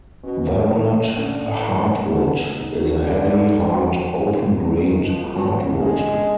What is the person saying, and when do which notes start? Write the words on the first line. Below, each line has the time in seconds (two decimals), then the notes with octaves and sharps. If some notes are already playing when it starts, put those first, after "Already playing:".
Walnut heartwood is a heavy, hard, open-grained hardwood.
0.23 B2 C#4
0.47 A2
0.69 D#3 E3
0.93 A3
1.16 D3 C#4
1.40 A2
1.63 E3
1.86 A3
2.09 B4
2.32 B3
2.55 D#4
2.78 F#4
3.01 D3 B4
3.24 B3
3.47 D#4
3.70 F#4
3.93 F3
4.16 F3
4.40 A#3
4.63 C#4
4.85 D#3 F3
5.09 F3
5.32 F#3 A#3
5.54 C#4
5.78 D3 G#3
6.01 D3